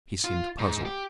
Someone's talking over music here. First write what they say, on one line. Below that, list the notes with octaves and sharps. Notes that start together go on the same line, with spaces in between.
He seemed puzzled.
F4
G#2
G4